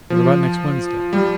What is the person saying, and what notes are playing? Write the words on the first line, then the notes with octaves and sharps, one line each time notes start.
"What about next Wednesday?"
F3
G3